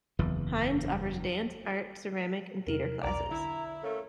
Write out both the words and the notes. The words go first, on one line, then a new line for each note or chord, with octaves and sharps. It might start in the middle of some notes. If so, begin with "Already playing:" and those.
Hinds offers dance, art, ceramic, and theater classes.
F#1 E2 E3
E2 C3 F#3 A#4
B1 E2 D5 A#5
D3 E4
A3 A#3 C#4 A4